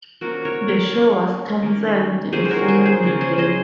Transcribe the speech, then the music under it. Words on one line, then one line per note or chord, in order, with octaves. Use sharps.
The show was canceled the following day.
F3 A#3 C#4 F#4 A#4
A#4 C#5
A#4 C#5
F3 A#3 C#4
D#3 A#3 C#4
D#3 A#3 C#4 G#4 C5
C5
F#4 A#4
G#4 C5
G#4 C5
C#3 F3 A#3 C#4
G#4 C5
C5 D#5